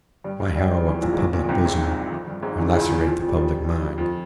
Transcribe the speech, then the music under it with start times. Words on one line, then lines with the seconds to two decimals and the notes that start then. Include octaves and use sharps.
Why harrow up the public bosom, or lasserate the public mind?
0.24 G2 G3
0.40 G2 G3
0.56 G2 G3
0.71 F2 F3
0.87 E2 E3
1.02 A#1 A#2
1.13 G#2
1.18 A#1 A#2
1.33 A#1 A#2
1.43 A#2
1.49 C2 C3
1.65 G#1 G#2
2.11 F2
2.27 G2
2.43 G#1 G#2
2.58 E2 E3
2.73 C#2 C#3
2.89 E2 E3
3.05 F2 F3
3.20 F2 F3
3.28 G3
3.36 F2 F3
3.98 F2 F3